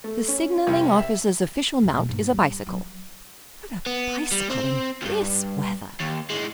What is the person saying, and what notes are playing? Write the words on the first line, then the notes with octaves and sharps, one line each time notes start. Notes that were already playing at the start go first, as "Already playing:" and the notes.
The Signalling Officer's official mount is a bicycle, but a bicycle in this weather--!
A3
C#4
C2
E5
D#1 E4
B2 A#3
G1 A#3
G3
F#3
B3
G3
C4
D2 G2
D#2
A2 G#3